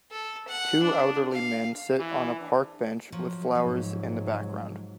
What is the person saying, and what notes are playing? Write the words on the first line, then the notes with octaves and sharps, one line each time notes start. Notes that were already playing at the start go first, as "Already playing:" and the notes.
Two elderly men sit on a park bench, with flowers in the background.
A4
F#5
D4
F5
E3
D4
F3 F#3
G#2 C3 F3 F#3